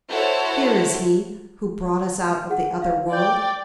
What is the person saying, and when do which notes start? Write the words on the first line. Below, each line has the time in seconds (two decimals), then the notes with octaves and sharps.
'Here is he who brought us out of the other world.
0.10 E4 F#4 A4 C5 C#5
2.50 G#4 F#5
2.82 F5
3.13 D5 G5 G6